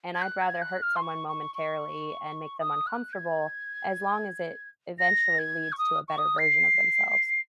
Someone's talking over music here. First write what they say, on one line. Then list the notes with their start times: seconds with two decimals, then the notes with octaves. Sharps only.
and I'd rather hurt someone momentarily and make them uncomfortable as long as it eventually leads to a better version of themselves.
0.14 G#6
0.22 F#6
0.42 G#6
0.62 F#6
0.82 F6
0.96 C6
1.02 C#6
1.28 C#6
1.55 C#6
2.60 D#6
2.87 F#6
3.13 G#6
4.99 A#6
5.39 G#6
5.72 C#6
5.78 D#6
6.08 C#6
6.18 D#6
6.39 C7